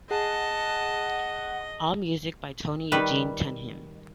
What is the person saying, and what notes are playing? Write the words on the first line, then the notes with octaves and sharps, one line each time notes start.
All music by Tony Eugene Tunheim.
G#4 D#5 F#5 A5
D#3 G3 B4